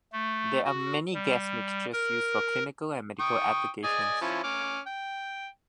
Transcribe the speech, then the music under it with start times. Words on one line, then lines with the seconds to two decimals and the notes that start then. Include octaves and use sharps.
There are many gas mixtures used for clinical and medical applications.
0.12 A3
0.65 F#4
1.14 G3
1.93 A#4
3.20 G5 C#6 D#6
3.84 D5 D#5 G#5
4.21 F3 C#4 E4
4.44 C#4 D6 F6
4.87 G5